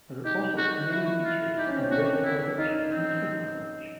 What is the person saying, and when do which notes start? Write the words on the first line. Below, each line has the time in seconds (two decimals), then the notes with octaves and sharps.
There are also many beaches in West Harwich and South Harwich.
0.24 D#4 G4
0.57 F#4
0.91 E4 F#4
1.24 F4
1.57 D#4 G4
1.67 C#4
1.75 C4
1.83 C#4
1.91 D4 F#4
2.24 E4
2.58 D#4 F4
2.91 C4